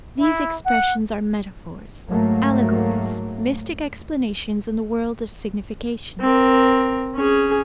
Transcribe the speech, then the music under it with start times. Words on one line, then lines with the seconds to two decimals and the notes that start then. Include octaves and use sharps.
These expressions are metaphors, allegories, mystic explanations in the world of signification.
0.19 E4
0.66 F#5
2.09 G#2 F#3 A3 A#3
6.21 C4 A#4
7.16 C#4 G#4